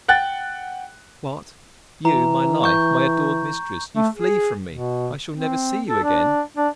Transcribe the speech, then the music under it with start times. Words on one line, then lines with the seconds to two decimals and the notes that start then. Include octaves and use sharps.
What! you, my life, my adored mistress, you flee from me; I shall never see you again?
0.08 F#5 G5 F#6 A6
2.05 E3 A#5
2.64 C#6 G6
3.96 A3
4.15 G#4
4.71 B2
5.32 C4
5.87 A4
6.03 D4
6.57 D4